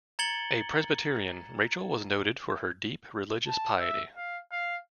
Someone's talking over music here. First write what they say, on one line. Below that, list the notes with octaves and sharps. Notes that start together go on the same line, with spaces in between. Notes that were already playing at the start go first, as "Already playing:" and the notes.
A Presbyterian, Rachel was noted for her deep religious piety.
A#5 G#6 A6 C#7 F#7 G7
A5
E5
F5
F5